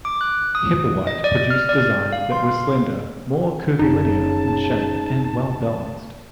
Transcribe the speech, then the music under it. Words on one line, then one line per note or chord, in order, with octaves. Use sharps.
Hepplewhite produced designs that were slender, more curvilinear in shape and well balanced.
D6
F#6
D#6
D#5
D5
F6
D5
F5
C6
F#1 C#3 D#4 A5